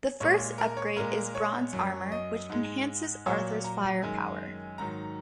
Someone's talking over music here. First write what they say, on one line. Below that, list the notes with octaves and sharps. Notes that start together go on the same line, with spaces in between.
The first upgrade is bronze armor which enhances Arthur's firepower.
A#2 G#3 C#5
A#4
C#5
A#2 G#3 A#4
C#5
F#2 F#3
D#5
G#2 G#3
A#2 F#3 C#5
A#5
F#2 D#3 G#3 G#5
G#2 D#3 F#3 A#5